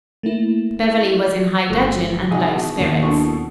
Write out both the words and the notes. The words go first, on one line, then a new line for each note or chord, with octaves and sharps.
Beverly was in high dudgeon and low spirits.
A3 A#3 E4
G1 G#3 A4 C#6
C2 G3 D#4 G#4 D#5 F#5 A#5
B2
D#2 A#3 C#4
B2 D4 E4 A4 C#6